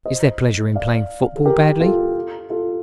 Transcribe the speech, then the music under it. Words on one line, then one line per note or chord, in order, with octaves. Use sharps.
Is there pleasure in playing football badly?
C5 D#5
D5 F5
A4
G4 A#4
F4 A4
F4 A4